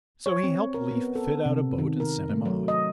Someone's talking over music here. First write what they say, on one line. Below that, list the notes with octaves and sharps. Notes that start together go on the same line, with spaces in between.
So he helped Leif fit out a boat and sent him off.
C#5
C4
A#4
B3
A4
C3
D#3
A#4
A3
F#3
D#5